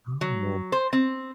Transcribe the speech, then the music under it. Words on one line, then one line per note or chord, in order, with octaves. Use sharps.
Oh, man.
F#3
C5
C4